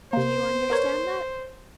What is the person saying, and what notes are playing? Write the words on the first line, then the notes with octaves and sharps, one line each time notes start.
Do you understand that?
C3 A#3 C5
B3 A#4 C#5